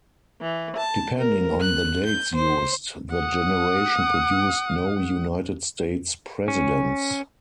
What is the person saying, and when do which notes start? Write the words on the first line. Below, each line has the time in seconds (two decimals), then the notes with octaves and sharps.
Depending on the dates used, the generation produced no United States presidents.
0.40 E3
0.76 A5
1.18 A#4
1.60 F#6
2.06 G6
2.34 C5
3.12 F#5 D#6
6.48 C#4